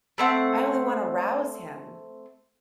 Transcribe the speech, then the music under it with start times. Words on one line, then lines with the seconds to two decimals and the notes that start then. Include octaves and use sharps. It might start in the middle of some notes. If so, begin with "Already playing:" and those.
I only want to rouse him.
0.18 A3 C4 F#5